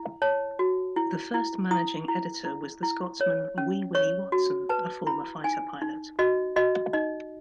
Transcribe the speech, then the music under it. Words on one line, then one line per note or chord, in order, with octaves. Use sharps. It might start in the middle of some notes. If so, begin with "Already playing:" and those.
The first Managing Editor was the Scotsman "Wee Willie Watson", a former fighter pilot.
Already playing: E4
C#5 A5
F#4
E4
E4
E4 D#6
E4
E4
E4
C#5
C#4
C#5 C#6
F#4
B4 A5
E4 B5
D#4 G#5
D#4
F#4 D#5
F#4 D#5
D#4 D#5